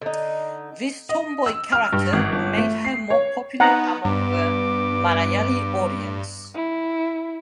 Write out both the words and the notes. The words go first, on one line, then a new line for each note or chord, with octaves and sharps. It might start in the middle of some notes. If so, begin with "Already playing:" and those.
This tomboy character made her more popular among the Malayali audience.
D3 D#4
D#5
E6
F6
G2
G#1
G1
A3
C7
C#5
B3 D#4 F#5 A#5
G2 B3 D6
E4